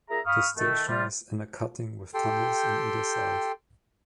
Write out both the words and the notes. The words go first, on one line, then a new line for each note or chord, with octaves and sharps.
The station is in a cutting with tunnels on either side.
A#2 G#4 E5 A#5
F5 B5 C#6 D#6 F6
D#3 A3
C3 G3 F4
G4 A4 G5 C6